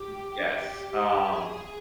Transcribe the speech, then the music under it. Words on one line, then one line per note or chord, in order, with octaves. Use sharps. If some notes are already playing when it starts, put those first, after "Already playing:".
Y yes, um,
Already playing: G4
G#4